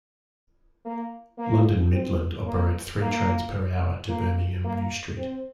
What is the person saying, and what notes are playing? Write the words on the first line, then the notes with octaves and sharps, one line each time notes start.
London Midland operate three trains per hour to Birmingham New Street.
A#3
A#3
C4
A#3
A#3
A#3
A#3
C4